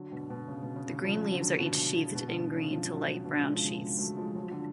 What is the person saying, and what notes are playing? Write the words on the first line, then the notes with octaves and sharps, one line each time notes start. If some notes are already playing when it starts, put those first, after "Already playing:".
The green leaves are each sheathed in green to light brown sheaths.
Already playing: D3 F#3
B2 D3
B2 D3
C#3
B2
C#3
C#3
C#3 F3
D3 F#3
B2 D3
B2
B2 D3
B2
C#3
C#3 F3
D3 F#3
D3 F#3
B2 D3
F3 G#3
C#3 F3
C#3
B2
F#3 A3
F3 G#3
F#3
F3
D3 F#3